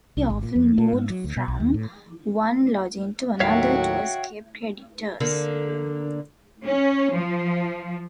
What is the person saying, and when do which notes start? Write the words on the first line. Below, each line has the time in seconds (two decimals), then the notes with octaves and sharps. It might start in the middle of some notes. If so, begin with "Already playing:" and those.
He often moved from one lodging to another to escape creditors.
0.17 C2
0.30 G#1
0.43 A#2
0.56 F2
0.78 A#2
0.93 G#2
1.10 F#3
1.24 D2
1.37 B2
1.48 B1
1.60 D#2
1.74 A2
3.40 D#2 A2 F#3 F#4 C#5 E5 F5 G5
5.20 D3 A#3
6.65 C#4
7.14 F3